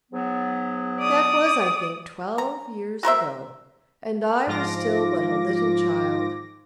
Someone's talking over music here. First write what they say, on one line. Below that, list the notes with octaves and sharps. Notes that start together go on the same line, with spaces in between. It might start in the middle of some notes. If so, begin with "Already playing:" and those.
That was, I think, twelve years ago, and I was still but a little child.
G#2 F#3 B3
D5 D#6
A#5
F#4 A#4 C5 E5
G#2 F3 F4 D6 A#6